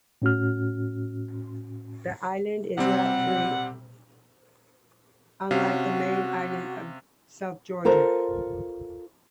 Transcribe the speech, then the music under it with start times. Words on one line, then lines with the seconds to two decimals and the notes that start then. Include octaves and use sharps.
The island is rat-free, unlike the main island of South Georgia.
0.22 A2 C#4 F#4 F6
2.78 C3 G3 C4 F#5
5.51 C3 C#4 F#4 F5
7.85 F4 A4 A#4 C5